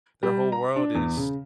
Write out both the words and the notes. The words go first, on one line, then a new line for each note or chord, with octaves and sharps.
their whole world is
G3
A#5
D4
E2
C#3